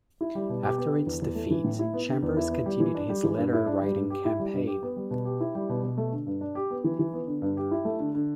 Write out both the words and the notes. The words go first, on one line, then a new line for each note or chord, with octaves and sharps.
After its defeat, Chambers continued his letter writing campaign.
E4
G3
B2
G4
B3
D3
E2
E2
A3
E3
A2
E4
B3
D3
E2
E4
B3
G3
E3
D4
G3
E3
G2
E4
D4
G3
G2
G4
E4
G3
G2
G4
B3
G3
B2
G4
E4
G3
B2
B2
A3
D3
G2
D4
G4
B3
E3
E3
B3
D3
G2
G4
E4
A3
D3
D3